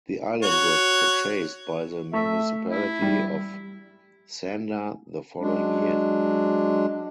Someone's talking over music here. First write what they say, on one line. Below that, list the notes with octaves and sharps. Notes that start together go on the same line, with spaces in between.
The island was purchased by the municipality of Sandar the following year.
F#4 C#5
A3 E5
E4
G3
F#3 G#3 D4